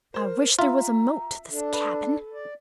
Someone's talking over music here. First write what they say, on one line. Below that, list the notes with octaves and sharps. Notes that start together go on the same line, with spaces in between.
I wish there was a moat to this cabin.
A#4 C5
F4 E5 A#5
D4 A4
B4
D5